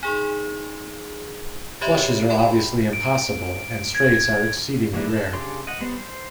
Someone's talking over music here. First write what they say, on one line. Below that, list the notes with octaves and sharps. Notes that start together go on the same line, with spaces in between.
Flushes are obviously impossible, and straights are exceedingly rare.
D#4 G#4 C6
F#4 G4 C#5 D#5 E5 C6
G5 A5 B5 C6
D7
G#6
E3 F#3 A#3 D4 E4
A5
C#3 D4 G4 C6
D#5 F#5
G3 B3 C5
C5